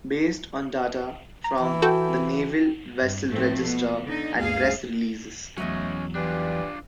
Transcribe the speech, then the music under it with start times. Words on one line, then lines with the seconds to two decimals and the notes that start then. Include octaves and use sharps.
Based on data from the Naval Vessel Register and press releases.
1.44 A#5
1.60 E3
1.82 F#4 A4 G5
3.00 G2
3.29 A2 F3 A3 C4
3.62 B2 B3
4.06 D3 D#4
4.40 D2 G2 G#4 F5
5.58 E2 G2 F#3 A3 C#4 D#5
6.15 E3 G3 D4 F4